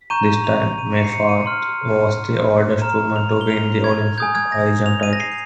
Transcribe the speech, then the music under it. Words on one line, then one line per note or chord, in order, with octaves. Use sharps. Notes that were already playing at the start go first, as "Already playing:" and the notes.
This time, Meyfarth was the oldest woman to win the Olympic high jump title.
A#5 C#6 G6 D#7
F7
D#7
C#7
C7
C#7
D#7
C6 F6
A#5 F6
F7
G7
F7
G#6
G#5 D#6 G6 G#6
G#6
A#6
F7
D#7
A#6
C7